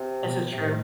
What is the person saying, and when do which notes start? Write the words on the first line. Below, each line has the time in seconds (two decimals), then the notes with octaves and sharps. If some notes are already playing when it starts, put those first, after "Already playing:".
This is true.
Already playing: C3
0.22 B2
0.52 A2 C3